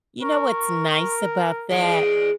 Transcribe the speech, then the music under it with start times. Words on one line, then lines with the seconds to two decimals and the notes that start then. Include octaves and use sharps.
you know, what's nice about that?
0.22 A#4 C#6
1.70 E2 G#3 D7